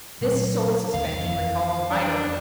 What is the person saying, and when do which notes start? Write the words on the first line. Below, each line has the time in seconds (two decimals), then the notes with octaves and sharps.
This soul-suspension recalls Maeterlinck.
0.21 A#2 F#3 A3
0.94 G#1 D#2 A#3 F5
1.18 F2 E3
1.91 D4